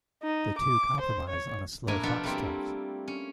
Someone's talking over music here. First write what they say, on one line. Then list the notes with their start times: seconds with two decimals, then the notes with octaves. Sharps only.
The two compromise on a slow fox-trot.
0.23 D#4
0.58 D6
1.00 C5
1.30 C#5
1.88 A2 A#3 D4 E4 G#5
2.03 B2 F3 D4 F4 E5 F#5
2.24 G3 A3 A#3 C4 E4 F4
3.08 C#4